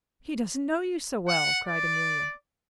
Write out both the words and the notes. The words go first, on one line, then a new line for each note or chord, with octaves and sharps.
"He doesn't know you so well," cried Amelia.
F#5
D5